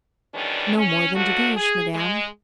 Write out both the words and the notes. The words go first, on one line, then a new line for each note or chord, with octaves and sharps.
"No more than De Guiche, Madame."
E2 B2 D#3 G3 C#4 D4
C#4
F3 F#3 A3 D4 F#4
G#4
G#3